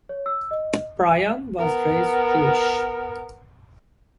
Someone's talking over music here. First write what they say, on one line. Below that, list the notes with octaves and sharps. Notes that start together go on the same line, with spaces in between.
Bryan was raised Jewish.
C#5
E6
D#5
B3 A#4